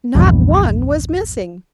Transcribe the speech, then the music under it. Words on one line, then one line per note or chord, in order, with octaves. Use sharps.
Not one was missing.
A#1 E2 G2